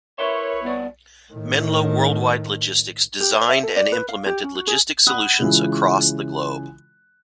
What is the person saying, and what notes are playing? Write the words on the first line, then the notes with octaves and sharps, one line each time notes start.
Menlo Worldwide Logistics designed and implemented logistics solutions across the globe.
E4 A#4 B4 C#5 E5 C6
C2 G2 B3 D5
A2 D#3
G4
C5
E5
A4
D5
B4
F5
G4
C#4
F#4
G#4
F#5 B5 D#6 F#6
C#3 E3 G#3 F4